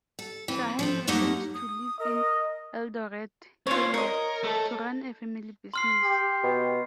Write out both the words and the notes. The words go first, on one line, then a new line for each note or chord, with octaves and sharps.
Shaheen returned to live in Eldoret, Kenya to run a family business.
A4
E3 C4
F3 A3 C4
F#2 G3 A3 A#3 D#4 F#5
D#6
A#4 D#5
C4 C#4 F4 C#5
A#4 C#5 D#5
A3 A4
C6 F6 C7
G4
B2